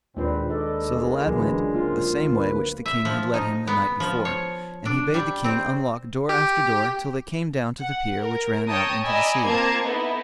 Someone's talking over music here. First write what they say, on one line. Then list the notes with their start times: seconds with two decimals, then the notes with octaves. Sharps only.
So the lad went the same way which the king had led him the night before, and he bade the king unlock door after door till they came down to the pier which ran out into the sea.
0.17 D#2 A#2 G#3 C4 D4 B4
0.50 D#4 A4 D5 D#5
0.94 G#3 A#3 F4
1.27 C#2 D3 E3 F#3 D#4
1.74 A#3 C4 F4
2.31 B2 A#3 B4
2.86 E5
3.05 F3
3.34 D#4
3.67 B3
4.00 F3
4.25 C#5
4.85 D4
5.14 G3
5.44 C4
6.29 G4
7.80 F#5
8.21 A#4
8.67 C#5 G5 A5 A#5 D#6
9.05 D5 D#5 G#5 A#5 B5 E6
9.45 A#3 C4 F4 A5 A#5 G#6
9.83 B3 D#4 E4 A4